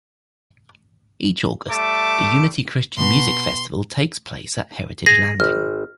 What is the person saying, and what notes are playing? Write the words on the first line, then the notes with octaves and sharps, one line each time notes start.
Each August, the Unity Christian Music Festival takes place at Heritage Landing.
G3 A3 E5 A5 D6
B2 C6
G#4 A#6
G#1 F6